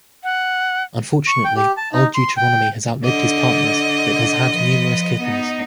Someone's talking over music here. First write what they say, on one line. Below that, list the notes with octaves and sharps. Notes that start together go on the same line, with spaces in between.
Unfortunately, Old Deuteronomy has outlived his partners, but has had numerous kittens.
F#5
C#6
G5
G4
A5
D#4
C6
G5
D3 D#5
F3 B4
B3 D#4